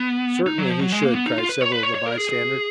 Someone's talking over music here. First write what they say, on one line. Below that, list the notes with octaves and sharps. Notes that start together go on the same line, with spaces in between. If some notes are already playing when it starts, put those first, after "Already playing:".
"Certainly he should!" cried several of the bystanders.
Already playing: B3
D#4
F#3
F3
F#3
G#3
A#3
B3
D#4
F4
B4
C#5
B4
C#5
C#5
A#4
G#4
G#4